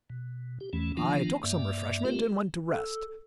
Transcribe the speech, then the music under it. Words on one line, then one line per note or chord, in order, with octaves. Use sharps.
I took some refreshment, and went to rest.
B2
G4
E2 E3 A3 C#4
D#3 F3 A#3 B3 D4 F4
G2 A#3 D5 E5
A3 B3 C4 F4 G4 A#4
A4